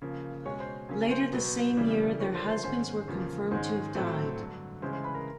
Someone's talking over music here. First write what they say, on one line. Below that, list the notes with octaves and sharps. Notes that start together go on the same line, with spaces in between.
Later the same year their husbands were confirmed to have died.
C#3 F3 A#3
B2 G#3 C#4 C#5 C#6
C5 C6
C#3 F#3 A#3 C#4 G#4 G#5
C5 C6
B2 F#3 B3
C#3 E3 G3 A#3
D3 F3 A#3 D4 C#5 C#6
C5 C6
C5 C6
G#2 D#3 G#3 C#4 C5 C6
E2 C#3 F3 A#3
G#2 D#3 G#3 C#4 C5 C6
A2 F#3 A3 C4
G2 D3 F#3
C#3 E3 G#3 C#4 C5 C6
C5 C6
B4 B5
A#4 A#5